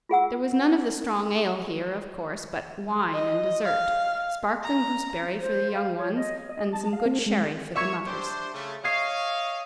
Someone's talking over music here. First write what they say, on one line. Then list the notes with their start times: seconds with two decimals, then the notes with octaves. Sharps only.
There was none of the strong ale here, of course, but wine and dessert--sparkling gooseberry for the young ones, and some good sherry for the mothers.
0.09 F4 G#4 F#5 E6
3.14 D#5
3.65 F5
4.63 A#5
5.39 C5
5.74 F5
5.97 C#5
6.15 D#5
6.49 D#5
6.73 A5
6.93 F5
7.06 C4
7.26 G#3
7.75 A#3 C#5 E5 C#6 G#6
8.06 D4 G4 C5
8.54 C#3 A3
8.83 C#5 D#5 F5 C#6 G#6 C7